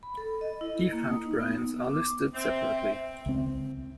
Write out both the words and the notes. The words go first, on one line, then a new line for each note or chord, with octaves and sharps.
Defunct brands are listed separately.
B5
A4
D#5
E4
A#3
D#6
D#4
B3
D6
C4 E5
C#2 C4